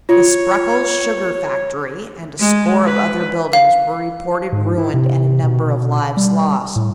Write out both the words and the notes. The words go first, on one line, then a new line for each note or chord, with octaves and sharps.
The Spreckels' sugar factory and a score of other buildings were reported ruined and a number of lives lost.
F4 C#5
G#3
B4
F5
G#2
E4
C3
B2
G3
A2